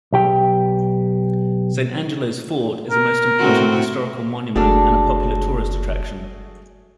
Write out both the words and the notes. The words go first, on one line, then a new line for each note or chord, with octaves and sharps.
Saint Angelo's fort is a most important historical monument and a popular tourist attraction.
B1 G4 G5
A#4
A2 C4 F#4
F#1 A3 D4 F#4 G#4 A4